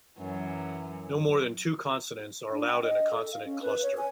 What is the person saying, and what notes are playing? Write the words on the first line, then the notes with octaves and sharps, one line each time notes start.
No more than two consonants are allowed in a consonant cluster.
F#2 E3 F#3
D4
G5
D#5
A4
F5
C#4
B4
C#5
G#5